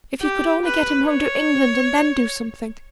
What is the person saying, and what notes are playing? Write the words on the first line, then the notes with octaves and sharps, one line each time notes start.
If you could only get him home to England, and then do something.
G4
B4
C#5